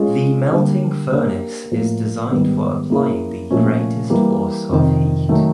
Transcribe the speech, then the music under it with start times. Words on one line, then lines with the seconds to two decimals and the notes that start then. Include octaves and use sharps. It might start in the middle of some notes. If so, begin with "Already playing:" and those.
The melting furnace is designed for applying the greatest force of heat.
Already playing: G#3 C#4 F4
0.53 D3 G3 A#3
1.12 A#3 D4 G4
1.71 A2 F3 A#3
2.31 G#2 D#3 G3 B3
2.90 A#3 C#4 E4 G#4
3.51 A#2 F3 A3 C#4
4.10 E3 G3 A#3
4.69 F2 C3 D#3
5.29 D#3 F#3 A3